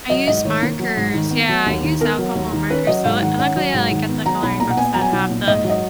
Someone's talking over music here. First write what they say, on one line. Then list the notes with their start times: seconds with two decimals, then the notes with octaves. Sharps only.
I use markers yeah, I use alcohol markers, so lu luckily, I, like, get the coloring books that have the
0.10 F#3 D#5
0.27 G#2 D#5
0.45 D#3 C#5
0.63 A#3
0.79 F#3
0.97 G#2
1.14 D#3
1.31 B3
1.49 F#3
1.66 D#2
1.83 D#3
2.00 B3 A#4
2.18 F#3
2.35 D#2
2.53 D#3
2.70 C#4 B4
2.87 F#3 D#5
3.05 G#2 F5
3.22 D#3 F#5
3.39 C#4 F#5
3.56 F#3
3.74 G#2
3.91 D#3
4.08 B3
4.26 F#3 A#5
4.43 B1 B5
4.60 A#2 A#5
4.70 F#5
4.77 B3 G#5
4.94 F#3 A#5
5.01 G#5
5.12 B1
5.29 A#2
5.47 G#2 D#5
5.64 F#3
5.70 D#5